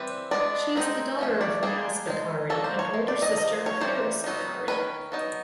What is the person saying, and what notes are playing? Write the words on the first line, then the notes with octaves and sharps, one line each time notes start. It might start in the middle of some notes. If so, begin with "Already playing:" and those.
She is the daughter of Naz Bokhari and older sister of Harris Bokhari.
Already playing: E3 G3 C4 B4
G#3 B3 D4 D5
G#3 C4 D#4
F3 A3 C#4
D5
G3 A#3 D4 G#4
G#3 C4 D#4
F#3 A#3 D4 A4
C5
C#5
F3 G#3
D5
D#5
F3 A#3 D#5
C#5
E3 G3 A#3 C5
F#3 B3 D#4
D#3 G#3 C#4 B4
F#3 B3 D#4